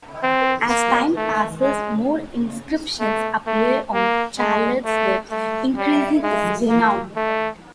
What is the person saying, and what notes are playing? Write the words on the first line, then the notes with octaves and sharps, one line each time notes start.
As time passes, more inscriptions appear on Charlotte's webs, increasing his renown.
C4
A#3
A3
G#3
A3
A3
A#3
G#3
A3
A3
G3
G#3
A#3
A3